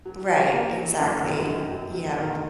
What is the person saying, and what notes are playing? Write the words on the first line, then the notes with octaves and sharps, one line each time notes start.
Right, exactly, yep,
F#3
F#3
A#3
F#3
F#2
D#3
F#2
F#3
F#3
D#3